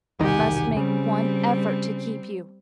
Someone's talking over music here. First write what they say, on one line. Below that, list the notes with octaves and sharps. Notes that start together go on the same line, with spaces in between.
I must make one effort to keep you....
E1 C2 D#3 G4 F#5 G#5
C#3 G3 C4